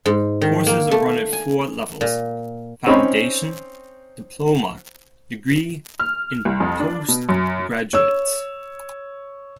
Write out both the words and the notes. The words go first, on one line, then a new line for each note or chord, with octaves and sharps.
Courses are run at four levels: foundation, diploma, degree and postgraduate.
G#2
D#3
A#3
A3
G#5
A#2
C4 C#4 D#4 C#5 B5
F6
C2
F2
D4
B2
F#2
C#5 E6